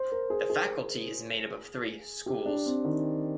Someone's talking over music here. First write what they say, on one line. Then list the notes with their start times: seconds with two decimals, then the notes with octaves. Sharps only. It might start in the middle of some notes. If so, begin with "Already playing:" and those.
The Faculty is made up of three 'schools'.
Already playing: C5
0.12 A#4
0.30 G#4
0.50 G#4
2.26 G4
2.46 D4
2.66 C4
2.84 D#3